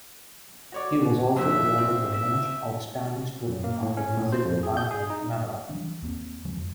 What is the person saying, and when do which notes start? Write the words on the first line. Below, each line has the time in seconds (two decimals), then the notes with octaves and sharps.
He was also awarded "The Most Outstanding Student of the Music Department" medal.
0.72 F#4 C#5 D5
1.36 F2 A#2 D#3 E5
1.78 C4
2.12 E5
3.49 F#2
3.64 A#3
3.82 A2
3.97 C#4
4.17 A2
4.32 C5
4.45 F2
4.63 G#4
4.77 G6
4.91 G#4
5.10 D#4
5.69 E3 F#3 G3 D4
6.02 D#2 A#3 C4
6.45 D3 F3 F#3 G#3
6.58 F2